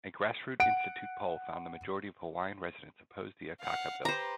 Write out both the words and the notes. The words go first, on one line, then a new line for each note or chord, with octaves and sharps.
A Grassroot Institute poll found the majority of Hawaiian residents opposed the Akaka Bill.
F#5 D7
F5 F#5
G4 B4 C5 A#5